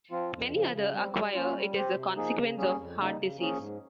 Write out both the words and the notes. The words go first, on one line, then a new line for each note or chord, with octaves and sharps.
Many other acquire it as a consequence of heart disease.
F3 C4 F4
F2
C#3 F3
C#3
G3 C4
G3
A#3 C#4 F4
G3
C4 G4 C5
C3
F3 A#3 D#4 G#4
C#3
G3 A#3 C#4 G#4
F2
C#3 G3 A#3 D#4
C#3
F3 A#3 C#4 G#4
G#2